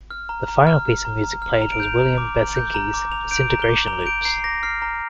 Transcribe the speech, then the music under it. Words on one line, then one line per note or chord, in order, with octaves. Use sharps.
The final piece of music played was William Basinski's "Disintegration Loops".
F6
A#5
A#5
F6
F6
A#5
A#5
F6
A#5 F7
D7
G6 F7
A#5
D6
A#5
G6
A#5
D6
A#5 F7
G6 D7
F7
A#5
G7
D6
A#5 F7
F7
G6 D7
A#5 C7
D6 A#6
F6 C7
A#5